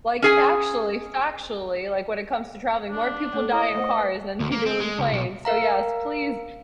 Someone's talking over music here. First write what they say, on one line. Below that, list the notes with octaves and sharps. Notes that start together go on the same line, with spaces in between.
like actually, factually, like, when it comes to traveling, more people die in cars than they do in planes, so, yes, please
C#4 G#4 G#5
D4
A3 A4
E4 C#5 D#5
A3 C5 F#5
B4
D2
A#3
C4
G#3
C#2
B1
A#4 F5 A#5